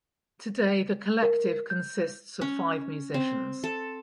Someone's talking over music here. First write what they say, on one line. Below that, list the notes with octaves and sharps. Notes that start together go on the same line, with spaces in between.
Today the collective consists of five musicians.
A#4
G6
C#4
C4
A4